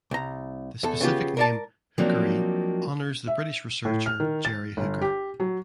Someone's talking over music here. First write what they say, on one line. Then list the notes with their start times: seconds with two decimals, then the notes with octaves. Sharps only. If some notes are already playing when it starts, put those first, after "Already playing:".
The specific name "hookeri" honours the British researcher Jerry Hooker.
0.11 C2 A#5
0.83 E2 A4
1.01 C#3 B3 F4 G4
1.37 A#4 D5 A5
1.98 F3 F#3 A#3 C4 D4 D#4
3.27 E5
3.85 A2
4.06 F6
4.20 D#3
4.45 A6
4.77 G1
5.01 G4
5.40 F#3